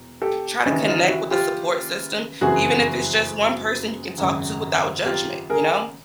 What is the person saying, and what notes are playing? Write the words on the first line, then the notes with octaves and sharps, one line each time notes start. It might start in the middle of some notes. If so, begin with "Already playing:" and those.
Try to connect with the support system even if it's just one person you can talk to without judgment, you know?
Already playing: E1
G4 A4
D#2 C#3 E3 C#4 D#4
D#4 F4
E4 F#4
F4 G4
F#1 F2 C#3 E3 F#4 G#4
G#1 F#2 C#3
F4 G4
G#4 A#4